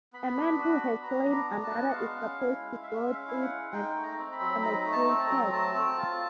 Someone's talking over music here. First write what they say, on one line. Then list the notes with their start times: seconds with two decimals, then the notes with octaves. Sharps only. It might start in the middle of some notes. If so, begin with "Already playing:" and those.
A man who has slain another is supposed to grow thin and emaciated.
0.13 B3 B5
0.36 D4
0.58 F#4
0.80 B3
1.03 B3 A#5
1.26 D4
1.32 A#5
1.48 F#4
1.63 A5
1.71 B3
1.88 F#5
1.93 G#3 F5
2.15 C#4
2.38 E4
2.61 G#3
2.82 G#3 E5
3.06 C#4
3.12 F5
3.27 E4
3.42 F#5
3.50 G#3
3.73 D#4 G5
3.94 A3
4.03 A#5
4.17 C4
4.32 B5
4.40 F#3
4.62 D#4 A#5
4.85 A3
4.92 A5
5.08 C4
5.23 A#5
5.29 F#3
5.52 A3 A5
5.74 C4
5.98 F4